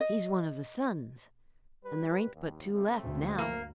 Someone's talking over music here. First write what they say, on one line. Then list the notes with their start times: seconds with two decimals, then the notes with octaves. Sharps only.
"He's one of the sons, and there ain't but two left now."
0.01 D#5
1.83 G3 B4
2.34 D#2
2.73 C#3 A3 C4
3.04 D2 G2
3.38 A#3